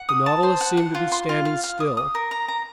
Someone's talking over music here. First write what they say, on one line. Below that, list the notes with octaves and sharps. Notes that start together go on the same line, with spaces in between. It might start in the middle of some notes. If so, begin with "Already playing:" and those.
The Nautilus seemed to be standing still.
Already playing: F#5
D#6
A5
C5
F#5
F#5
F4
C6
F4
F5
F5
D#6
D#6
A#4
A#5
A#5